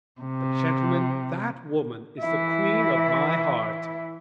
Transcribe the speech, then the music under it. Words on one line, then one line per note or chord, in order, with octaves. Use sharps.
But, gentlemen, that woman is the queen of my heart.
C3
E3 E4